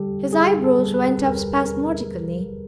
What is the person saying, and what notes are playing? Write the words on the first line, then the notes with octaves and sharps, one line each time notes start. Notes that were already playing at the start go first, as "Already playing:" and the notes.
His eyebrows went up spasmodically.
Already playing: D3 G3 G4 A4
G3 G#4
A4
G3
B4
D#2 A#4
A#4